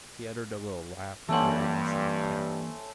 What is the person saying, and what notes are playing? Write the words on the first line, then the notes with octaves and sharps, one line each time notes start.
He uttered a little laugh of weariness and contempt.
G2 E3 A3 A#3 C#4 C5 F#5